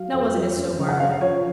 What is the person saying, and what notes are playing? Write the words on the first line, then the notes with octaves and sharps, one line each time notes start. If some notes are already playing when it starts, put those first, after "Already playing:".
Now wasn't it so, Margaret?'
Already playing: F#3 F5
F2
F3
F#2
C#3
F#5
F#2 F5
F3 C#5